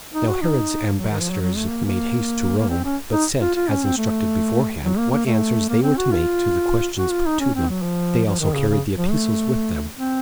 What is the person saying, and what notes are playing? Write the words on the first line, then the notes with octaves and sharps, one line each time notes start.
Now Herod's ambassadors made haste to Rome; but sent, as instructed beforehand, what answers they were to make to the questions put to them. They also carried the epistles with them.
D#4
F#4
D#4
F#3
D#3
F3
F#3
F#3
A3
A#3
A#3
A#3
C4
C#4
D#4
F4
F4
C#4
C4
A3
F#3
A#3
A#3
A3
A#3
C4
F#4
F4
F#4
F4
D#4
C#4
C4
F#3
F3
F3
D#3
C#3
C#3
F3
A3
C4